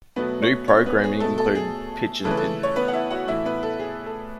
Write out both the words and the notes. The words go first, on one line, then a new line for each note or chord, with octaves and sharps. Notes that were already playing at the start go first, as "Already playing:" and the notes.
New programming included Pitchin' In.
B2 F#3 A3 B3 B4
C#4 C#5
C#4 C#5
B3 B4
G#4
B2 A3 A4
A4
G#4
C#3 E3 A3 A4
B4
A4
C#4 C#5
B3 B4
F#5
E4 E5
F#4 F#5
A2 E3 A3 E4 E5
B3 B4
A4
G#4
A4